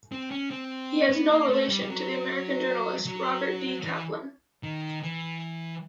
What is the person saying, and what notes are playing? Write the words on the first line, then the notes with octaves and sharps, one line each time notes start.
He has no relation to the American journalist Robert D. Kaplan.
C4
C#4
C4
B3
A#3
A3
G3
G3
F#3
F#3
E3
D#3
E3